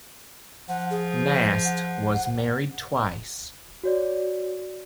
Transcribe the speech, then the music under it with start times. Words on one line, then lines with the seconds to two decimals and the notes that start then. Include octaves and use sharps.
Nast was married twice.
0.69 F3 F#5
0.91 G#4
1.65 F#5
3.83 F#4 C#5 D5